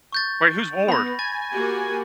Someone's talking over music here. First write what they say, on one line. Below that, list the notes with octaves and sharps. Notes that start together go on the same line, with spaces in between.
Wait, who's Ward?
C#6 G6 A6
B3 B5 A#6
G#5 A6
A#3 F#4 G4